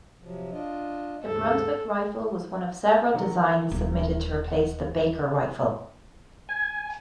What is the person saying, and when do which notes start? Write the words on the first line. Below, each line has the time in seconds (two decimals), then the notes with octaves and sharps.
The Brunswick rifle was one of several designs submitted to replace the Baker rifle.
0.22 C3 F3 F#3
0.52 D4 F4 D#5
1.24 D#2 G#2 C#3 A4
3.14 D#3 F#3 F#5
3.71 D#1
3.98 D#3
4.48 F#5
6.49 G#5